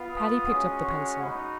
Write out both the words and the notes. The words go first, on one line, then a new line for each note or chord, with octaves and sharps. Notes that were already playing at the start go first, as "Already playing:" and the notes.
Patty picked up the pencil.
Already playing: B3 F4
D#6
G#3 C#4 F#4
C#6
A#3 D#4 F#4 B5